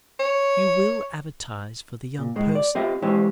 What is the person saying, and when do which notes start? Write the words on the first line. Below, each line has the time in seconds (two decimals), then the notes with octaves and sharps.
"You will advertise for the 'young person'?"
0.19 C#5
2.18 A#2
2.36 A2 G#3
2.55 D5
2.75 C4 F4 G4 D#5 E5
3.02 E3 G#3 E4 G4 C5 C#5